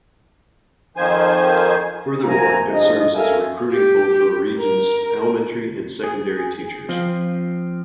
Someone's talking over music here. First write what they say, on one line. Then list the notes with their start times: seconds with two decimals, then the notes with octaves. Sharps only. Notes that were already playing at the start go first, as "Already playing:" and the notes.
Furthermore, it serves as a recruiting pool for the region's elementary and secondary teachers.
0.97 F2 D#3 F3 C5 G#5
2.24 F2 A2 C3 A#3 G#5 A#5
2.70 G2 B2 F3 E4 G#4 D#5
3.15 A4 A#4 E5 F5 G#5
3.71 G4
4.58 A#4
6.04 G#4
6.89 F3 C4